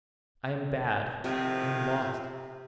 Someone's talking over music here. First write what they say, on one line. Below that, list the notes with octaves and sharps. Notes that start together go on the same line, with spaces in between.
'I am bad, I am lost.
A2 C3 D#3 F3